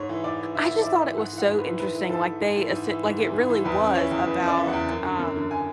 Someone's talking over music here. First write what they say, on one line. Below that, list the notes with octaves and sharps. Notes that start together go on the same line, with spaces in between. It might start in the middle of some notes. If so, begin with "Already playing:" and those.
I just thought it was so interesting, like, they esse like, it really was about, um,
Already playing: G#2 C#5
E3
G#2 D5
E3
G#2 E5
E3
D5
G#2 E5
E3
G#2 F#5
E3 F#5
G#2
B4
E3
G#2 B4
E3
G#2 A4
E3
G#2
E3
G#2
E3
G#2
E3
G#2
E3
E2 B4
C#3
E3 C#5
E2
E2 B4
C#3
D5
E3
E2 F#5
F#2
D3
F#2
D3
G#5